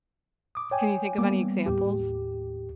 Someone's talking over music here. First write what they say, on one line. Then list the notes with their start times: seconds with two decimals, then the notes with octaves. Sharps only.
Can you think of any examples?
0.55 D6 D#6
0.71 C#5 G5 G#5
1.18 G3 A#3 B3 D6
1.66 D#2 A2 G4